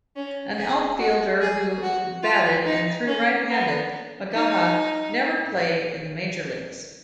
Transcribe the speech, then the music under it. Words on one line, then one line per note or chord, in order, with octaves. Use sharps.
An outfielder who batted and threw right-handed, McGaha never played in the Major Leagues.
C#4
G#4
F#4
G#4
F#4
F4
D#4
C#4
B3
D#4